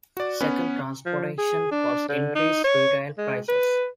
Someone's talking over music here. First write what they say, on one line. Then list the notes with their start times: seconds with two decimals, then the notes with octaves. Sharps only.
Second, transportation costs increase retail prices.
0.17 F#4 D5
0.41 B3 C#4 B4
1.06 F3
1.38 G#4
1.71 D4
2.08 D3
2.35 D#4
2.64 C#5
3.18 G#3
3.48 B4